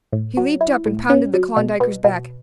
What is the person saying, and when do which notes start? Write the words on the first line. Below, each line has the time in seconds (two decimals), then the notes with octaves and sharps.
He leaped up and pounded the Klondiker's back.
0.12 A2
0.37 F#3
0.61 E4
0.86 A2
1.10 C#4
1.34 F#3
1.56 B2
1.80 B2
2.04 B2